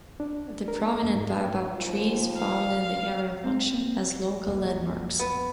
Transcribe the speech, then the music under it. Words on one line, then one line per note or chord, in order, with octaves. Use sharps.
The prominent baobab trees found in the area function as local landmarks.
D4
A#4
A#3
F#2
G#2
D#2 F3
F5
C4
A#1 F2 B2
B3